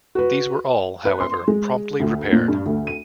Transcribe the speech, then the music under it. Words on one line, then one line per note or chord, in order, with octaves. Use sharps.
These were all, however, promptly repaired.
F#4 B4
B4
C6
G#3
D2
A#2
G2
D2
D#7